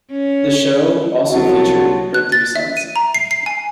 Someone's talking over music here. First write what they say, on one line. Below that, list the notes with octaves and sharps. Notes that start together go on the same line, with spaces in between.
The show also featured her three sons.
C#4
C2 F3 F#3 F4 F#4 A5
F#6
A6
E5
D#7
A#5
C7
C7
G#5